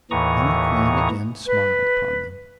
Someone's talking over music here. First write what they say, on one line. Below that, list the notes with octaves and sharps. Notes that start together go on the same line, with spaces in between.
Then the Queen again smiled upon them.
D#2 A2 E3 A#5 C#6 D#6
B4